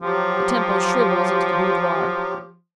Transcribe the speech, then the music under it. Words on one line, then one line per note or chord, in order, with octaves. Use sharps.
The temple shrivels into the boudoir.
F3 F#3 G4